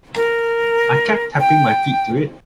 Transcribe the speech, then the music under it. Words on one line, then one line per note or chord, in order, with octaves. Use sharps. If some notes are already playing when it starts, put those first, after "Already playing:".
I kept tapping my feet to it.
A#4
G5